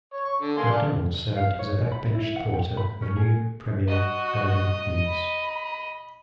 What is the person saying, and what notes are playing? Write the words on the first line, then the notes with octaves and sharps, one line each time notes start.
McDonald served as a backbench supporter of new Premier Ernie Eves.
C#5
C#6
D3
A#3 G#5 C6
D4 F5
F5
C#5
B5
E4
F#5
G5
B5
C#4
G#4
F#4 D#5
B5